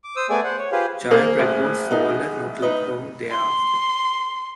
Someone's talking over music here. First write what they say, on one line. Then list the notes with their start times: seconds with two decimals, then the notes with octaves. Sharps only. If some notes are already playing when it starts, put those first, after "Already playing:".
Giant Records folded not long thereafter.
0.04 D6
0.16 C5 D#6 E6
0.30 A3 B3 G#4 D5 G#5
0.44 C5 F#5
0.58 C#5
0.72 F4 G4 G#4 B4 C5 F5
1.11 A#3 G#4 C5
1.39 A1
1.91 B3 D#4 G#4
2.62 D#4 B4 D#5
3.30 C6